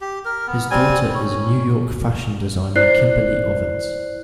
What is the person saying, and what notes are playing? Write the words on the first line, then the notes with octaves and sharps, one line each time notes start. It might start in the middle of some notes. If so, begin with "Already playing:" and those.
His daughter is New York fashion designer Kimberly Ovitz.
G4
A#4
B3
G3 C4 G#5
C#4
E4 C5 D5 F#6 C7